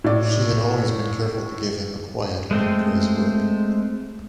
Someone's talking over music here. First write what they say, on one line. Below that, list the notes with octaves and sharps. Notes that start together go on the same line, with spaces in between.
She had always been careful to give him a quiet room for his work.
A2 D5
G#3 A3 C4